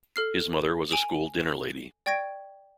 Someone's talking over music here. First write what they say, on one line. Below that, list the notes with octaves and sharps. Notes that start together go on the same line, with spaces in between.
His mother was a school dinner lady.
A4 F6 C7
G#5 D7 F7 F#7
D5 G5 C#6 G#6 A#6 D7